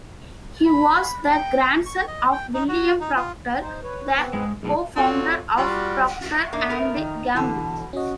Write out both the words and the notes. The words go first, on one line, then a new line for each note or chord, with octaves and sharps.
He was the grandson of William Procter, the co-founder of Procter and Gamble.
B5
G5
C#6
D#5
G5
D#4
F#4
D#4
F4
D#4 C5
B4 C#5
B3 C4 B4
G#2 G#3
B1 A2 D4 G#4
C4 F4 F#4 A4 C#5 D5
G3 F4 F#4
A#3 D4 D#4 E5
A3 B3 A#4 F6
D#3 D#4
G2 B2 D3 E3 A4 A5
C#4 F#4 D#5